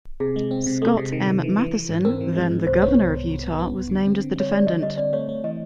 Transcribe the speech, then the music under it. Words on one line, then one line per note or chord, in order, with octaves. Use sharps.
Scott M. Matheson, then the governor of Utah, was named as the defendant.
C3 G#4
G#3
C4
C3
G#3 A4
C3
D#3
D#3
E3
E3
E3
G#2
C4 A#4
E3
G#3
G#2
C2 C5
B3 C#5
C2
C2
C2
B3
B3
C2
D3
C4
D3
G3 C#5
G3 D5
D3 D#5
G3 D#5
C4 D5
A3 C#5
A3
E3 D#5